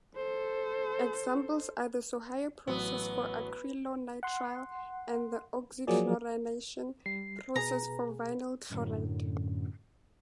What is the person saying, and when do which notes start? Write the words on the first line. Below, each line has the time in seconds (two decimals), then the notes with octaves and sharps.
Examples are the Sohio process for acrylonitrile and the oxychlorination process for vinyl chloride.
0.16 A4 C5
2.67 A1 F#3 B3
4.23 F#5 C6
5.87 F3 F#3 A#3 G#4 D5
7.06 G3 C7
7.56 B2 G#4 B4 A#5
8.70 F#2 A2 D3